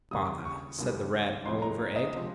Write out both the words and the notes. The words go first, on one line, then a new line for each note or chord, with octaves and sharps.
'Bother!' said the Rat, all over egg.
D#2 C#3 G3 D#6
C#6
D#2 C#3 G3
C#2 C3 F3 G#3 C6
A#5
D#5
C3 F3 G#3